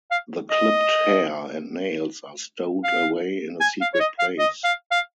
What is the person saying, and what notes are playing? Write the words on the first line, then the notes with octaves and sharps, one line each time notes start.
The clipped hair and nails are stowed away in a secret place.
F5
D#5
F5
G#5
F5
C#5
D#5
F5
D#5
F5
F5